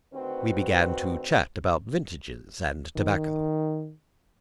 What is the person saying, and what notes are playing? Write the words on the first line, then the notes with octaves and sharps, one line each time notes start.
We began to chat about vintages and tobacco.
D2 D#3 C4 F#4 B4
D#3